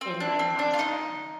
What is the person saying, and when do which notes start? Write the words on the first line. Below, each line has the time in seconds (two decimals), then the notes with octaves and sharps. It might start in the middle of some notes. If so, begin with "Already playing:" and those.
in my classroom.
0.01 C4
0.20 D4
0.39 C4
0.59 D4
0.73 F4
0.79 D#4